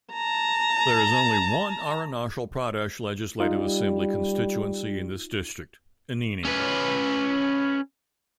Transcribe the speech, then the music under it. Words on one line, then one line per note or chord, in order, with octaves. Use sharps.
There is only one Arunachal Pradesh Legislative Assembly constituency in this district: Anini.
A5 A#5
G3 D#4 F4
C#4 B4